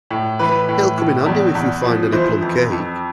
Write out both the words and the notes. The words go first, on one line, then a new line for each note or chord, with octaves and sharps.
It’ll come in handy if we find any plum-cake.
A2
E3 B4
A2
A2
E2
E2
F3
E3 C5
F2
F2